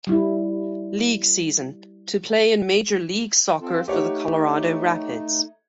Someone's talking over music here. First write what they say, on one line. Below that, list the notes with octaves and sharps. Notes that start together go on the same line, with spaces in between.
League season to play in Major League Soccer for the Colorado Rapids.
G3 E4
C4 F4 A4
A3 D#4 G4 C#5 F#5